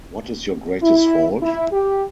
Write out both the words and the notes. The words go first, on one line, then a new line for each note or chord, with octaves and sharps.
What is your greatest fault?
E4
E4
G4